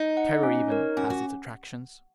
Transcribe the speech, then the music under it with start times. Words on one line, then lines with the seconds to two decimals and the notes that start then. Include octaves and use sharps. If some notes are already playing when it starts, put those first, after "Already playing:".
Terror even has its attractions.
Already playing: D#4
0.17 F#5
0.43 C#4
0.70 A#4 C#5
0.97 C#4 F#4
1.10 F#4